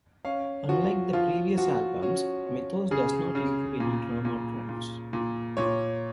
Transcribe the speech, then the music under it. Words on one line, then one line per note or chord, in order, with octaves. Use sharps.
Unlike the previous albums, "Mythos" does not include any drama tracks.
C#4 F5
F3 F#4
F3 F4
F3 F#4
C#4 F#4
C#4
C#3 G#4
C#3
A#2
A#2
A#2
A#2
A#2 C#5